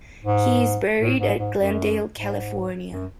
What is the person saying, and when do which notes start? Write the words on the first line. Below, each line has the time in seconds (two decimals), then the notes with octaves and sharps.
He is buried at Glendale, California.
0.24 G#2
1.01 A2
1.19 G#2
1.38 G#2
1.59 F#2
2.15 G#2
2.92 F#2